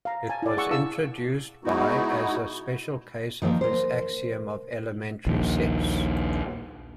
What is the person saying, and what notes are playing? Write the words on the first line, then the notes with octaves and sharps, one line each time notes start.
It was introduced by as a special case of his axiom of elementary sets.
F5 A#5
G#5 A5
E4 D5
G#4 F#5 C#6 E6
E4 F5 A5 E6
G#3 B3 D#4 E4 F#4
D#3 F3 A3 A#3
A#4 C5
A#1 D#2